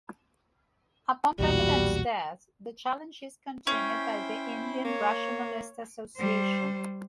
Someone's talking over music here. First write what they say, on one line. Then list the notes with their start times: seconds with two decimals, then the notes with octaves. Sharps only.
Upon Premanand's death, the challenge is continued by the Indian Rationalist Association.
1.39 B1 E2 A#2 G3 F#4
3.67 C#4 E4 C5 G5
4.85 A#3 C#5
6.18 G3 C5